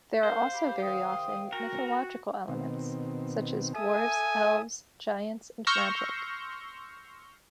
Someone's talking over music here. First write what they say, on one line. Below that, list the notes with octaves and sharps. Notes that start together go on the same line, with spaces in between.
There are also very often mythological elements, such as dwarves, elves, giants and magic.
A#4 C5 F5
G4 B5
C3 D#3 G5 D#6
F#4 A#4
B2 D#3 C4
A4 E5 G#5 D#6
C6 C#6 E6 F6 G6 A#6